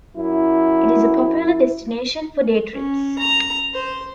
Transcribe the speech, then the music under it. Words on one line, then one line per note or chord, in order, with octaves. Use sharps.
It is a popular destination for day trips.
F#2 E4
C#4
A#5
C5